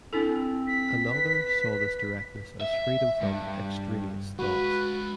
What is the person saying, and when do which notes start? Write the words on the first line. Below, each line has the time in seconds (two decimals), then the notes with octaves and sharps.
Another saw this directness as freedom from "extraneous thoughts".
0.13 C4 D4 E4 A4
0.67 B6
1.09 B4
2.61 E5
3.21 G2
4.39 G#3 F#4 B4 F5 B5